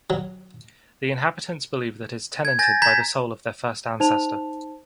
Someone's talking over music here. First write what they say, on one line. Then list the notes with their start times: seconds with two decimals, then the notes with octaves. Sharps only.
The inhabitants believe that it is tenanted by the soul of their first ancestor.
0.10 F#3
2.45 G#6
2.59 G#5 G6 A6 A#6
2.82 A#5 G6 G#6 B6
4.00 D#4 C5 A5 F7